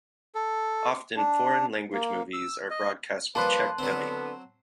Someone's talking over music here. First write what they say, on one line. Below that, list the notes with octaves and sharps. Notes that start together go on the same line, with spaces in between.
Often, foreign language movies are broadcast with Czech dubbing.
A4
D4
A#3
E6
D#5
F3 G3 A#3 B4 A5 C6 F#6
D3 F#3 B3 C4